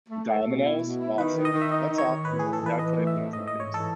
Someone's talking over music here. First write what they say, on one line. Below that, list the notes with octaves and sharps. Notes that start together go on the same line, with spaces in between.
Dominoes? Awesome. That's awesome. Yeah, I played when I was a kid too.
A3
A3
B2
E4
B2
E4
D#3 B4
D#3
D#5
D#3
E5
D#4 D#5
D#3
C#5
D#3
A2 B4
E3 G#4
A4
E3 B4
E3 D#5
A3
E5
A2
G#2 D#5
G#2 D#5
C#5
E3 A4